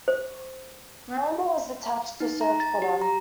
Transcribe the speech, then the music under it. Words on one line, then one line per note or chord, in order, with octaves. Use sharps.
"Bramble" was detached to search for them.
C5
D#4
A#5
A6
G4
A#5